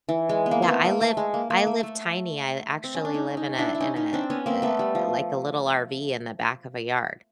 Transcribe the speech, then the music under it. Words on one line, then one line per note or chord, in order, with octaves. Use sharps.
Yeah, I live I live tiny. I actually live in a in a, eh, like, a little RV in the back of a yard.
E3
G#3
B3
A#3
C4
A3 B3
A#3
A3
G#3
A#3
A#3
A3
A3
C4
C#4
D4
C#4 D#4
C#4 D#4
D4 E4
E4
C#4 D#4
C#4 D#4
C4 D4
B3 C#4
A#3 C4
A3 B3
G3
F3